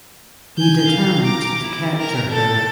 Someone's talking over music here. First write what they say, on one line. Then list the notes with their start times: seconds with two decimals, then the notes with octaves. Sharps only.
He determined to capture her.
0.58 G#5 G6
0.87 F5
1.22 A#5 D6
1.61 E4
1.97 A#4
2.31 A4 A6